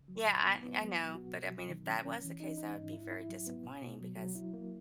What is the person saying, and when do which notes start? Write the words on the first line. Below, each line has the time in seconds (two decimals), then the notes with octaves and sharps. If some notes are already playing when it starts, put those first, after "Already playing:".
Yeah, I I know, but, I mean, if that was the case that would be very disappointing because,
Already playing: C#3
0.08 F#3
0.26 A#2
0.45 B3
0.63 B3
0.80 F#3
0.98 B2
1.15 F#4
1.33 B2
1.51 F#3
1.69 D#3
1.86 C#4
2.05 C#4
2.23 E3
2.40 D#4
2.57 D#4
2.75 G#2
2.93 E4
3.11 E4
3.29 F#3
3.47 B3
3.64 B2
3.82 B2
4.00 F#3
4.17 F#3
4.35 E4
4.54 A#3